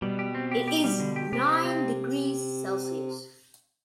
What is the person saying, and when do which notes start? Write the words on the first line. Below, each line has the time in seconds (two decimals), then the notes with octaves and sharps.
It is nine degrees Celsius.
0.02 B2 G3
0.19 G4
0.35 C4
0.51 G4
0.68 G4
0.84 G3
1.00 D3
1.16 G4
1.32 C3 G4
1.49 C4
1.65 C4